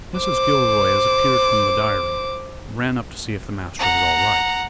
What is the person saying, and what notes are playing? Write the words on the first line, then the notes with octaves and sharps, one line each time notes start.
Mrs. Gilroy--as appeared from the diary--ran up to see if the master was all right.
C5 D6
F#5 A#5